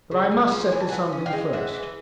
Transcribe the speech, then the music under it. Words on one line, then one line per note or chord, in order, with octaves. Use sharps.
But I must settle something first.
C#3
G#3
F3
E3 G#5
A5
F#5 G#5
E3
C#4
F5 G5
G#3
E3 E5 F#5
E3